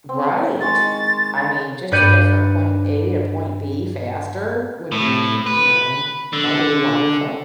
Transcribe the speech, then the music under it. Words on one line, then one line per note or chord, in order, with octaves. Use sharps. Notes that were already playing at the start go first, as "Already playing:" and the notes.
Right, I mean, just to get from point A to point B faster would be, you know, that would be wonderful.
C4
D#3 G#3 C#6 A6
G2 B4 D5 G6 C#7 D#7
A2
B4
D3